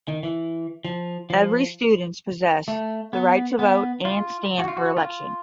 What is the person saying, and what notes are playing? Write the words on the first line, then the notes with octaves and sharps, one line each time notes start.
Every students possess the right to vote and stand for election.
D#3
E3
F3
F3
A3
B3
B3
F4
F#4
F4
F#4
F4